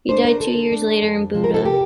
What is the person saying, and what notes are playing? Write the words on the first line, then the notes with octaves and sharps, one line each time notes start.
He died two years later in Buda.
A3 D4 C5
A#4
D3 A4
A3 D4
F2
C3 F3
A#4
A4
G4